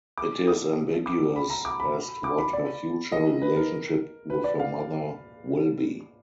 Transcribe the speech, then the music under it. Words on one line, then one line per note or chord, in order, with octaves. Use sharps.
It is ambiguous as to what her future relationship with her mother will be.
D6
D#6
D6
B5
A#5
D6
B5
D6
B5
D5
D#5
B4
A#4
B4
D5
F5